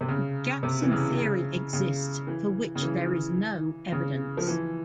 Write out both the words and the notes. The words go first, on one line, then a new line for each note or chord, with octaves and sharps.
Gaps in the Theory exist for which there is no evidence.
C3
C#3
C3
E3
C#3
C#3
C#3
E3
C#3
E3
C#3
F3
E3